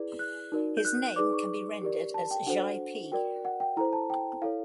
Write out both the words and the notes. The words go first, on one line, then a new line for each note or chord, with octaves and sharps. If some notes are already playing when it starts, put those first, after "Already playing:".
His name can be rendered as Jia Pi.
Already playing: E4 G#4 B4 D5
F#6
D#4 F#4 A#4 D5
G6
F#6
D#4 G#4 B4 D5 D6
C#6
G4 A#4 D5
A5
G5
D4 F#4 A4 C5 F#5
F#4 A#4 D5 G5
F#5
G5
E4 A4 C5 A#5
A5
G5
E4 A4 C#5 F5